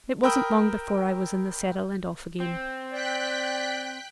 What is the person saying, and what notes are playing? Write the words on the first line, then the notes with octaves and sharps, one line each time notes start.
It wasn't long before I was in the saddle and off again.
A#4 G5 B5 D#6 E6 G6
C4
D5 G5 F#6 B6